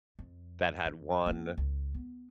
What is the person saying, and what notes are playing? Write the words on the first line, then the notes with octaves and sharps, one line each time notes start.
that had one
F2
E2
A#3 C#4
C#2
B3